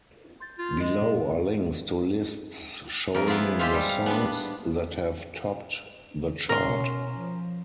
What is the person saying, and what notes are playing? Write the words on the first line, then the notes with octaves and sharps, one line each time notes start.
Below are links to lists showing the songs that have topped the chart.
C6 G6 A6
F4
G#3 C#4 F4
A#2 G#4 A#4
F2 A#4
B3 E4 F4 G#4
G#3 F4 G4 C5 E5 F5
G3
F5
B3 D4
B2 C#4 A#4 C6
F3